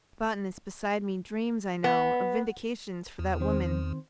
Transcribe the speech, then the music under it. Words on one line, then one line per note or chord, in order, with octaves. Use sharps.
The botanist beside me dreams, I know, of vindications for that woman.
B3
E2
D#3 C4 C5